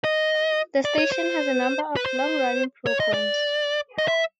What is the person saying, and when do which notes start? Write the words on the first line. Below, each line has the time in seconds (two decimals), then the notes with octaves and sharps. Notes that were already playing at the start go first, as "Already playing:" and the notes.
The station has a number of long-running programs.
0.04 D#5
0.85 D5
0.99 C#5
1.12 C5
1.96 B4
2.06 C5
2.86 C#5
3.00 D#5
3.14 D5
3.98 D#5
4.08 E5